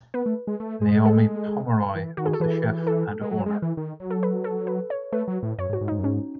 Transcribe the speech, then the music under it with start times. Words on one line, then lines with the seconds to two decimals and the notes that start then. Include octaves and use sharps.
Naomi Pomeroy was the chef and owner.
0.14 B3 B4
0.26 A3
0.47 G#3
0.60 A3
0.81 G#3
1.05 A4
1.95 E3
2.17 D#3 F#4
2.26 G#4
2.33 A4
2.40 E3 B4
2.87 A4
3.21 G#3
3.31 F#3
3.46 G#3
3.62 E3
3.77 D#3
4.00 F#3
4.11 A4
4.23 B4
4.44 A4
4.67 B4
4.90 C#5
5.12 A3 B4
5.28 F#3
5.43 A2
5.58 F#2 C#5
5.70 G#2
5.73 F#4
5.81 G#2
5.88 D#4
5.92 G#2
5.99 F#2
6.03 G#2 C#4